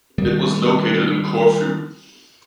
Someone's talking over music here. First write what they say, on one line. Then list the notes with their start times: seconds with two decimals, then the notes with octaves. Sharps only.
It was located in Corfu.
0.18 D#3 G3 A#3